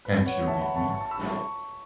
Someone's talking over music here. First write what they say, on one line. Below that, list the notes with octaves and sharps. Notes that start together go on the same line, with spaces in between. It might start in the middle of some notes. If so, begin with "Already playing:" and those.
Can't you read me?
B4
C#5 F#5
E5 A5
F#5 B5
A5 C#6
A5 C#6
A5 C#6
B5 E6
A5 C#6
A5 C#6